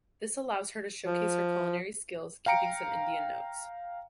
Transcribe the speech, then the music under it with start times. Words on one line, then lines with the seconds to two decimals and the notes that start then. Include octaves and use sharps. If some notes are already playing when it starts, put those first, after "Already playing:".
This allows her to showcase her culinary skills keeping some Indian notes.
1.06 F3
2.46 F5 G5 A#5 C#7 D7